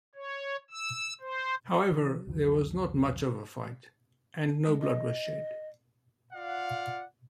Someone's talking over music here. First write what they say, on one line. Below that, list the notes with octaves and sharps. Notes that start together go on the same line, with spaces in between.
However, there was not much of a fight, and no blood was shed.
C#5
E6
C5
E3
C2 F2 D3 F#3
G#3
D#5
F4 D5 F5 F#5